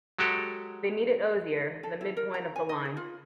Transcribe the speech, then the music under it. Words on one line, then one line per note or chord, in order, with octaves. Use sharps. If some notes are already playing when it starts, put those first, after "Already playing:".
They meet at Osier, the midpoint of the line.
F#3 G#3 F#4 G4 A4
A4
E4
A#4
A#5
G#5
D#5
G#4
F4